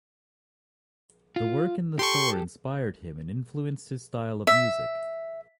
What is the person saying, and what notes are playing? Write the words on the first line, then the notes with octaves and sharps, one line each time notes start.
The work in the store inspired him and influenced his style of music.
F4
G4 A4 C6 C#6
E5